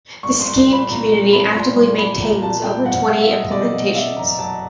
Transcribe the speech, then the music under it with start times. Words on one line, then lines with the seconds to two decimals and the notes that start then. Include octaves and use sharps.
The Scheme community actively maintains over twenty implementations.
0.23 C2 C#6
0.40 C6
0.45 C2
0.56 C6
0.67 A#2
0.73 B5
0.89 A#2 A#5
1.11 C2
1.32 C2 B5
1.55 A#2 C6
1.76 G3 C6
1.98 G3 B5
2.20 A#2 A#5
2.42 C2 A5
2.64 G3 G5
2.86 B2 F#5
3.08 B2 E5
3.21 E5
3.29 F#3 D#5
3.42 D#5
3.51 B2 D5
3.73 B2 D#5
3.95 B2 E5
4.17 F#1 A#5
4.29 A#5
4.39 F#3 A5